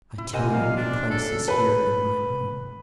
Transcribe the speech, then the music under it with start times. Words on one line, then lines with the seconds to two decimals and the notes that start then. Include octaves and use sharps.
I tell you, your place is here in my home.
0.18 E4
0.33 C3 A#4 C5 D#5 F#5 G#5
0.53 C3 G3 F5
0.77 D4
1.10 A4
1.48 B4